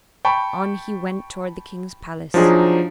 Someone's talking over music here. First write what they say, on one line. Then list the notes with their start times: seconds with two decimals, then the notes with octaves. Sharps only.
On he went toward the king's palace.
0.25 G5 A5 B5 C#6
2.34 F3 F#3 D4 D#4 G#4